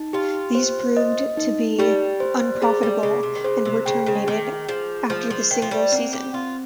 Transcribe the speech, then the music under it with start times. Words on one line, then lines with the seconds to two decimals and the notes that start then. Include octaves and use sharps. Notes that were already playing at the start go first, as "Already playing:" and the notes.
These proved to be unprofitable and were terminated after the single season.
Already playing: D#4
0.13 F4 G4
0.55 C5
0.97 D#5
1.37 D#4
1.79 G3 G4
2.20 C5
2.62 G3 G#4
2.83 G3
3.03 C#3 G#4
3.23 C3
3.35 D#3
3.44 C#3 C5
3.65 C3
3.86 C#3 G5
4.06 C#3
4.27 D#3 G#4
4.69 F3 G#4
5.10 F3 C5
5.30 F3
5.51 D#3 G5
5.62 F3
5.71 G3
5.92 A#3 C4
6.13 G4
6.34 C4 F4